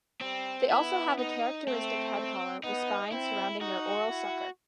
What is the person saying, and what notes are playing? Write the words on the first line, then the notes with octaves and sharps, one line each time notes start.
They also have a characteristic head collar with spines surrounding their oral sucker.
G3 C4
B3 E4
D#4
A3 C4
B3 D#4
C4 E4
D#4 F#4
E4